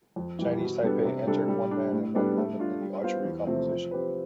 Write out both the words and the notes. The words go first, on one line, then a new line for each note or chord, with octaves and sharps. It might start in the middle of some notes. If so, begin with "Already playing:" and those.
Chinese Taipei entered one man and one woman in the archery competition.
F2
E3 G3
B2
G3 B3 D4 A4
C3
G3 D4 A4
G3
D4 G4
A2
G3 B3 D4 A4
A3
D4 F4
G3
B3 F4 C5 F5
E2
C3 F3 A3 C4
F3
C4 G4 B4